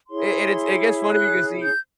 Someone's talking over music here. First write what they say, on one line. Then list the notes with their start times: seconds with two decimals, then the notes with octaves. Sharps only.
It it's it gets funny because he
0.07 E4 G#4 C#5 C6
1.10 F#6
1.61 G6